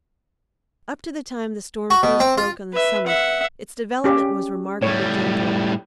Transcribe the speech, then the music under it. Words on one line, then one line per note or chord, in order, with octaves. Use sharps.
Up to the time the storm first broke on the summit its development was remarkably gentle.
F#4
B2
C4
F4
B4 E5
E5 F#5
C#4 G4
A2 G3 C#5